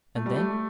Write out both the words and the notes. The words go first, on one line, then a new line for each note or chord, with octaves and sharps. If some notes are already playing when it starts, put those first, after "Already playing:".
"And then?"
A3
G3
A3